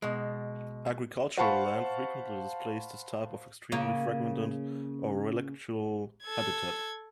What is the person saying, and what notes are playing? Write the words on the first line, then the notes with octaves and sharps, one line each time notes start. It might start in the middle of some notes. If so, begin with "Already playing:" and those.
Agricultural land frequently displays this type of extremely fragmented, or relictual, habitat.
B2 G#3
C5 F5 F#5 A5 B5 C#6
C#3 A#3 C#4
A4 G#6